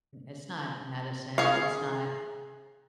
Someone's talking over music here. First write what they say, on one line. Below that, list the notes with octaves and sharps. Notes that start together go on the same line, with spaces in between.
it's not medicine, it's not
G#4 F5